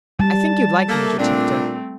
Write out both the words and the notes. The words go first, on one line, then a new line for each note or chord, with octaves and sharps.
I think you'd like Major Tifto.
G3 A5
A3 A#3
A#2 A3 C4 D4